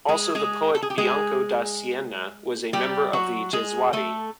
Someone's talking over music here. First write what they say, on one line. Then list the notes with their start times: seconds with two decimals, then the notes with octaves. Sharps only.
Also the poet Bianco da Siena was a member of the Jesuati.
0.08 G#3 G#4
0.35 G#3 G#4
0.75 A4
0.82 G#4
0.90 G4
0.98 G#3 G#4
2.73 G3 G4
3.13 F#3 F#4
3.53 G#3 G#4
3.93 A3 A4